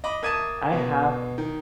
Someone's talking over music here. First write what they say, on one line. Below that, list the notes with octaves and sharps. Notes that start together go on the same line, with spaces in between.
I have
D#5 B5 D6
A#3 E5 A5 D#6 G#6 D#7
B2
D#3